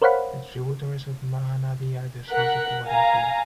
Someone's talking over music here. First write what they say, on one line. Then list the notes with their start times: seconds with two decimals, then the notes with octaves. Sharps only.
The tributaries of Mahanadi are the source of water here.
0.02 A#4 C5 C#5 F5 F#5 B5
2.30 A#4 F#5 F#6 B6
2.86 F5 G#5 A#5